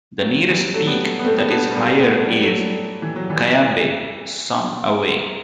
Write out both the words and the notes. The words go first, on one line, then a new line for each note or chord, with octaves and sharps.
The nearest peak that is higher is Cayambe, some away.
F#3
E3 G3
F#3 A3
G3 B3
B3
A3 C4
G3 B3
B3 D4
G3 B3
B3
A3
G3
F#3 A3
E3
F#3
E3 G3